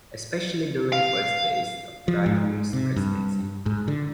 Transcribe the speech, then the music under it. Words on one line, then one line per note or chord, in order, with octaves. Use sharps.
Especially during the first days of Gayoom's Presidency.
F5
F3
G#2
C3
G2
G#2
D3